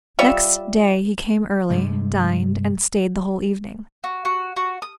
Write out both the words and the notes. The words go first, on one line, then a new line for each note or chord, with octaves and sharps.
Next day he came early, dined, and stayed the whole evening.
G3 F4 C#5 E5
G2 C3 G#3
F#4
F#4
F#4
D#6